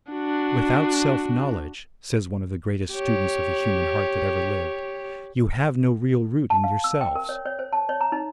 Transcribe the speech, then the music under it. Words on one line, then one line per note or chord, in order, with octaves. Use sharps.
'Without self- knowledge,' says one of the greatest students of the human heart that ever lived, 'you have no real root in yourselves.
D4 F#4
G4 C#5
A5
F5
E6
G5
A#4
C#5
C#5
C5
A5
C#5
A#5
D#4